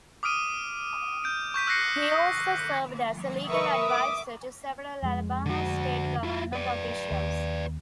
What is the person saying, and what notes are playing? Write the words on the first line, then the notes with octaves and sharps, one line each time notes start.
He also served as a legal advisor to several Alabama state government officials.
D6 D#6 F6 D7 D#7
G6 D7
C#6 G6 B6 D#7
E6 F#6 G6 A#6 C7 C#7
A#4 B4 E5 C#6 D#6
D6
F2 G#3
D3 F#4
E4 F4
B4 D5
D#2